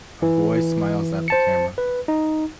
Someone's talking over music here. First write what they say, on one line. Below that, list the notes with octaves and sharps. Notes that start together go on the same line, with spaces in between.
A boy smiles at the camera.
E3
C5 A5 C#7
B4
D#4